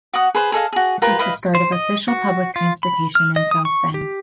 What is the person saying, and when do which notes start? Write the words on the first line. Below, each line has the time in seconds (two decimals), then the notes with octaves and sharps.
This was the start of official public transportation in South Bend.
0.13 F#4 F#5 D#6
0.35 G#4 B4 C5
0.52 G#4 A4 D#5 F5
0.73 F#4 G#4
1.02 F4 G4 A#4 B4
1.19 E4 B4 D#5 F5
1.55 C5
1.72 D#5
2.08 F#4
2.56 F4
2.83 B5
3.15 F6
3.36 D#5
3.51 D#6
3.65 C#6
3.94 G4